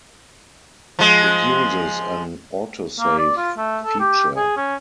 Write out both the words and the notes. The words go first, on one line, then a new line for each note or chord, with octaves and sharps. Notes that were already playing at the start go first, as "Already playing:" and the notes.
It uses an autosave feature.
F3 G#3
A#3
D5
F4
A3
A4
G4
G#4
C#4